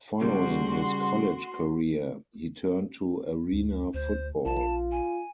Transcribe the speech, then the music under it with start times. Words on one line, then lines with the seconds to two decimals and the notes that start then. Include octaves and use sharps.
Following his college career, he turned to Arena Football.
0.21 C#3 G3 F#4 C6
3.52 D2
3.94 D2 C5
4.45 A#1 F4 A5
4.91 G#5